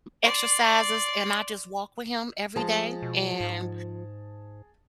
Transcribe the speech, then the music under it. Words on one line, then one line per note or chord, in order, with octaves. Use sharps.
exercises and I just walk with him every day and
D5 C6
F3 G#3 G#4 A5
B2
G#2